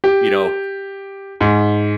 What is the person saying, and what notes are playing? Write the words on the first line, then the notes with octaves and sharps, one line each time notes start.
you know
G4
G#2